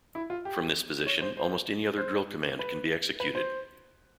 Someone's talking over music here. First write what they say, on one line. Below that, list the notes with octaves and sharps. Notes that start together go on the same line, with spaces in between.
From this position, almost any other drill command can be executed.
E4
F4
G4
C#5
C5
C5
C5
B4
B4
C5